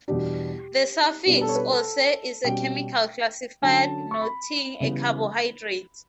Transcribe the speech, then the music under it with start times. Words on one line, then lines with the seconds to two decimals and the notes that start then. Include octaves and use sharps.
The suffix "-ose" is a chemical classifier, denoting a carbohydrate.
0.08 E2 B2 G3 D4 G4
1.26 B2 G3 B3 D4 G4
1.37 B4
1.41 A4
1.49 C#5
1.55 B4
1.71 A4
2.44 B2 G3 C#4 G5
3.62 D3 F#3 C#4 A5
4.11 C#6
4.21 B5
4.80 C#3 E3 G3 B3